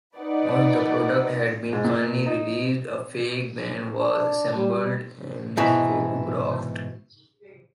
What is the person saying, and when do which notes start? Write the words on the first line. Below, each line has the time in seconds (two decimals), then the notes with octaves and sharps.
Once the product had been finally released, a fake band was assembled and photographed.
0.16 D#4 B4 D5 F#5
1.73 G#2
1.85 A#2
2.26 D#4
3.99 D4
4.55 G3
5.57 G#2 B2 E3